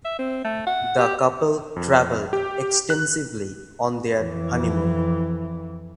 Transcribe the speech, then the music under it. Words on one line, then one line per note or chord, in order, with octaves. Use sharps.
The couple travelled extensively on their honeymoon.
E5
C4
A3
F#5
G4
F2
G4
F#6
F2 E3